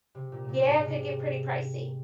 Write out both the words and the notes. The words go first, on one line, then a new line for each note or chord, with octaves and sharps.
Yeah, it could get pretty pricey.
C3
A#2
A#2
G#2
C3